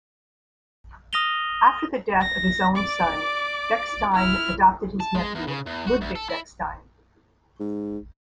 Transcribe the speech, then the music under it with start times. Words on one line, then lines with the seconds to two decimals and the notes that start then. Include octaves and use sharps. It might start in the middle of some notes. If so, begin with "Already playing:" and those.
After the death of his own son, Bechstein adopted his nephew Ludwig Bechstein.
1.13 D#6 F6 A#6 D#7 F7 G7
2.21 A#6
2.76 D5 D6
4.14 E4 F6
5.00 A5
5.15 G#3
5.35 E2
5.48 C#3
5.67 E2
5.87 F#4
6.01 D2
6.15 A4
6.30 E4
7.60 G#2